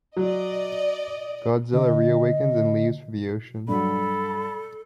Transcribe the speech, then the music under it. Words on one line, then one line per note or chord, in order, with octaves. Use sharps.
Godzilla reawakens and leaves for the ocean.
F#3 D5 D#5
D3 D#5
G2 F#3 A4 B5